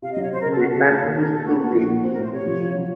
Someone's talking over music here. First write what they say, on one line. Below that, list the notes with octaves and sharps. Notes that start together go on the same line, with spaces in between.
Repairs took two weeks.
C3 F5
D#5
F#3
C#5
C4 C5
A#4
C#3
A4
C#4 F#4
A4
C#3
A3
D#2
A4
A#3 A#4
A#2 A4
A3 F#4
A#2 F#4
A#1
A#2
C4 F#4
A#4
A2 C5
C3 C#5
F3
F4
F#3